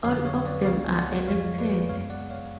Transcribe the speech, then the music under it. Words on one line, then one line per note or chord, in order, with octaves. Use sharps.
All of them are elected.
F2 D3 F#3 B3 C#5 F5
C#5 F5
B4 D5
D5
C#2 C#3 G#3 B3 C#5 F5
D5 F#5
F2 F3 G#3 C#5 F5
B4 D5
F#2 C#3 G#3 B3 C#5 F5
D5 F#5
C#5 F5